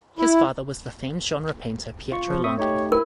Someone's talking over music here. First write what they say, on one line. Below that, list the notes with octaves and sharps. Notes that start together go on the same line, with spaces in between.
His father was the famed genre painter Pietro Longhi.
E4
F4 C#6
F3
C4 E5 C#6 D#6
A3 D#4 G4 C#5
E4 A#4